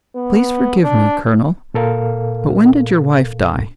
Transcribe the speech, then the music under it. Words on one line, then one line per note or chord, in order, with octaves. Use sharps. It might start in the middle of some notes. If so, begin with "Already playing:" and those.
"Please forgive me, colonel, but when did your wife die?"
B3
D4
A#2 A4 A#4 F5